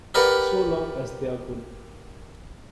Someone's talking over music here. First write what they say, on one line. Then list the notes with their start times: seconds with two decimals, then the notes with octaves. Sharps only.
So long as they're good.
0.14 G4 A#4 B4 D5 F#5